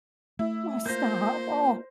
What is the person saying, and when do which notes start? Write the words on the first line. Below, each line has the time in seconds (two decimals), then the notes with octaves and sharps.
Oh, stop. Oh
0.39 A3 E4
0.86 A#3 F4 C5 G6 A#6